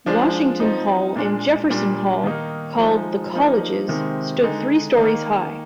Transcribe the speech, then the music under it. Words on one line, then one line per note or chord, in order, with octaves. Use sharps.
Washington Hall and Jefferson Hall, called the "colleges," stood three stories high.
F3 G#3 D4
F3 C4 D#4
A#2 G#3 D4
A#2 G3 D4
D#3 A#3 D#4
F3 G#3 D#4
F3 A#3 D#4
C3 D#3 G#3 C4
D3 G#3 D#4
D#3 A#3 D#4